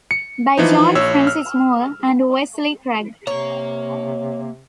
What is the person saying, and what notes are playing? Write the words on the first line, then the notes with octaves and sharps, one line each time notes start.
By John Francis Moore and Wesley Craig.
C#7
E3 F3 D#4
A#1 C#5 E6
F6
C3 A#3 C#5 A#5